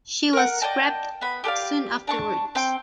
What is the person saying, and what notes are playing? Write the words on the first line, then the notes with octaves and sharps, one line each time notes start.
She was scrapped soon afterwards.
A#4 F#5
D5 D#5 G5 A5
B3 B5
G4 A4 D5 F5
D4 A5 C#6
C4 G5